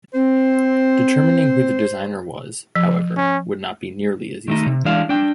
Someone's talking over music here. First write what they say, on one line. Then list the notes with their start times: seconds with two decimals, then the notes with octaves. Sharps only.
Determining who the designer was, however, would not be nearly as easy.
0.14 C4 C5
2.75 F3
3.17 C#4
4.48 D#3 A3 D#4
4.66 C3
4.85 E3 G#3 D4 F5
5.09 D4 G5